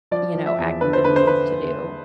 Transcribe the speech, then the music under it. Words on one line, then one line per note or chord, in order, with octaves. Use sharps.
you know, activities to do.
F3 D5
F3
E5
E2
D3 B4
C5
D3 B4
C5
B4